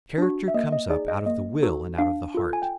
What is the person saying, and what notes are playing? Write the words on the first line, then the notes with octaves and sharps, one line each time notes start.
Character comes up out of the will and out of the heart.
D4 F#4
E5
A#3 D#5
D#5
D#4 G#4 D5
D#5
A#3 D#5
D#4 F#4 A4
D4 F5
F4 A4
G#5
G5